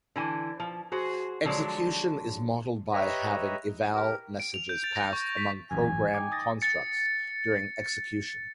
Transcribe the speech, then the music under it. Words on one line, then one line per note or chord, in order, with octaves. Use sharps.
Execution is modeled by having Eval messages passed among program constructs during execution.
D3 E3 G#5
F3
F#4 G#4 C5
D3 F3 F#3 G#3 D4
G4 B4 C#5 D#5 E5 A#5
G4 A#4
D7
F7
G6
A6
A#6
C#6
B6
A1 F#2 G#5
D#4 G5 D6
D#6 A6 A#6
A6 C#7